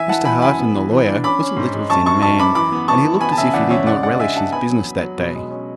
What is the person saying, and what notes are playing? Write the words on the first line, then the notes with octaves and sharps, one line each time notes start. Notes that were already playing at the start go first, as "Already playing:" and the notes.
Mr. Harton, the lawyer, was a little, thin man, and he looked as if he did not relish his business that day.
Already playing: E3 E5 G#5
E4 F#5 A5
E3 G#5 B5
F#2 G#5 B5
B3
E3
E3
D4
C#4 B5 D6
C#4
G#2
G#3
F#2 A5 C#6
F#2 A5 C#6
F#2 A5 C#6
F#2 B5 D6
E3 B5 D6
B3
B3 A5 C#6
E3
B3 G#5 B5
A5
C#3 E5 G#5
E2 D5 F#5
C#3 C#5 E5
G#3 D5 F#5
G#3 D5 F#5
D4 E5 G#5
D4 F#5 A5
B3 G#5 B5
F#3
F#3
F#3
B2
G#3
C#4